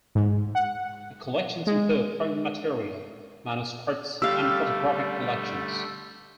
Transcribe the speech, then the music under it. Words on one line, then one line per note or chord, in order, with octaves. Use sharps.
The collections include printed material, manuscripts and photographic collections.
G#2
F#5
G#3
D3 G3 A3 G4 F5 E6